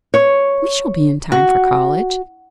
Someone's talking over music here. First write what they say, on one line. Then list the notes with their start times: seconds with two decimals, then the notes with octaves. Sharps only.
"We shall be in time for college."
0.14 C#5
1.32 F#4